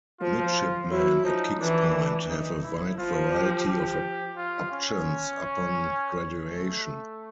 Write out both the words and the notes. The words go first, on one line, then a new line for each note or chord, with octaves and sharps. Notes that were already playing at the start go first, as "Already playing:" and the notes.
Midshipmen at Kings Point have a wide variety of options upon graduation.
F3 F4
F#3 E4
F3 D#4
E3 D4
D#4
E4
F3 F4
G4
G4
F4
C#4
A3